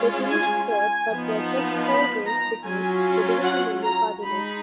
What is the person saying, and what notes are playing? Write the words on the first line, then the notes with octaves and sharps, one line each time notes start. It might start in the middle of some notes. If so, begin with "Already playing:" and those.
They finished third, but were just four games behind the division-winning Cardinals.
Already playing: G#3 C#4 F4
G#5
G#5
F3 B3 D#4
B5
A#5
F#3 C#4 F4 G#5
F#5
A#5
G#3 D#4 B5